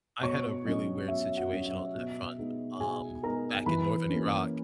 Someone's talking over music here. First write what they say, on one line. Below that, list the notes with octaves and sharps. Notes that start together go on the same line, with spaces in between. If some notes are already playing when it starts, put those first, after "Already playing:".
I had a really weird situation on that front, um, back in northern Iraq,
B2 C#5 C#6
F#3 C#4 D#5
B2 E5
F#4 F#5
F#3 C#4
E5
B2
G#3 B3 D#4
B2 G#4 G#5
G#3 B3 D#4 A#4 A#5
E3 B4 B5
A#3 C#4